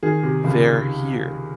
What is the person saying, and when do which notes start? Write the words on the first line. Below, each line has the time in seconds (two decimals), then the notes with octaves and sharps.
They’re here.
0.03 D#3 G#4
0.23 C3
0.44 C#2